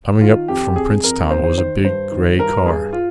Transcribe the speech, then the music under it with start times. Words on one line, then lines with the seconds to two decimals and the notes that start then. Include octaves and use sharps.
Coming up from Princetown was a big, grey car.
0.21 D#3 F4
0.48 F2 G4
0.76 F2 G#4
1.03 F2 A#4
1.30 D#3 C5
1.44 C5
1.57 D#3 C5
1.85 G2 C5
2.12 D#3
2.39 G2 A#4
2.66 G2 G#4
2.93 F4